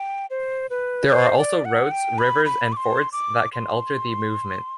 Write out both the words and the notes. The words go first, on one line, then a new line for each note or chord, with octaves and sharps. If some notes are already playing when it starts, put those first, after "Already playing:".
There are also roads, rivers, and fords that can alter the movement.
Already playing: G5
C5
B4
C5
D5
F#5
G5
B5
B5
D6
C6
D6
C6